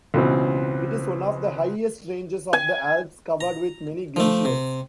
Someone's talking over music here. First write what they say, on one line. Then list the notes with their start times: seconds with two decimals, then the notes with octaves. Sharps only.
It is one of the highest ranges of the Alps, covered with many glaciers.
0.14 C#2 B2 E3 C4
2.53 G#5
3.41 A#5
4.16 F3 A3
4.45 C3